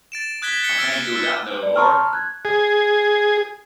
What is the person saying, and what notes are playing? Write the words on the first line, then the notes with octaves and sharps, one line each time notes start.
I can't do that no more.
A6 D7 E7
D#6 F#6 G#6 B6 G7
F#6 G6 B6 C#7 G7
E6 F6 A6 D7
E6
D5
A5 A#5 C6 C#6 E6 F6
F#6 G#6
G#4